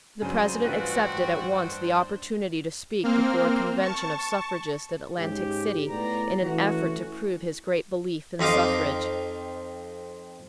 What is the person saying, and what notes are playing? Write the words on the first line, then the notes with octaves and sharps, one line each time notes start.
The President accepted at once the opportunity to speak before a convention of suffragists at Atlantic City in an effort to prove his great belief in suffrage.
G2 C#3 F#3 D4 C5 G#5
A1 F4 F#4 B4 G5
A#3 C4 F6
A5 C#6
G#2 C#3 G4
A2 B3 D5 A#5
E3 A3 C#4 F#4
F2 C4 D#4 F5 D6